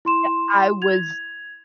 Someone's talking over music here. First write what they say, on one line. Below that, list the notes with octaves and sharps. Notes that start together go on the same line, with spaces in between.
Yep, I was
E4 C6 E7
G#6 F7